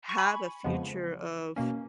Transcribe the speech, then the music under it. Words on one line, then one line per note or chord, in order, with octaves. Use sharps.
have a future of
C#6
G#5 B5
F2 C#3 F3 G#3 B3
B2 A#3 C#4